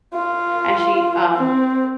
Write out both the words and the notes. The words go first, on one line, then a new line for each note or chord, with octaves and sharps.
and she, um,
F4
C4